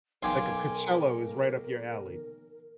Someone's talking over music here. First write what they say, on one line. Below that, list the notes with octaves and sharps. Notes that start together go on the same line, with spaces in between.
Like a Coachella was right up your alley.
B1 G4 A#4 F5 G#5 C6